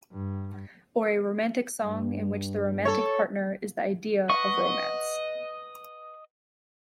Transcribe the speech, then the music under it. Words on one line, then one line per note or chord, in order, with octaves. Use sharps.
Or a romantic song in which the romantic partner is the idea of romance.
G2
G2
A4 C#5
B4 D#5 F#5 C#6